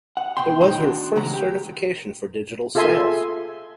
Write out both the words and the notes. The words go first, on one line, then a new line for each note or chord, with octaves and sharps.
It was her first certification for digital sales.
F#5
B2 G5 C6
B1 A2 D#3 D#4 G5 C6
D4 D#4 F#4
A2 C#3 E3 G#3 F#4 A#5
G4
F4 G#4 A4 E5 G#5 C6